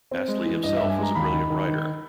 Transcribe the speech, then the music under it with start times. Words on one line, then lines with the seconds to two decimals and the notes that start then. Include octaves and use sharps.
Astley himself was a brilliant rider.
0.11 C4
0.28 G#3
0.46 E3
0.63 G2 D#5
0.76 G2 E5
0.90 G#5
0.98 G#3 A#5
1.15 D#2 B5
1.33 D#3
1.50 D#3
1.68 D#3